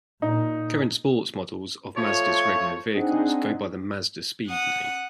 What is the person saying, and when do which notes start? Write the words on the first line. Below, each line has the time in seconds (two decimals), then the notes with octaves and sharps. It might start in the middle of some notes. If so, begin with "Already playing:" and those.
Current sports models of Mazda's regular vehicles go by the Mazdaspeed name.
0.22 A#2 D#4
1.96 F3 A3 F4 C#5
2.93 C4 D4 D#4 G#4 D#5 F#5
4.47 F#5 D#6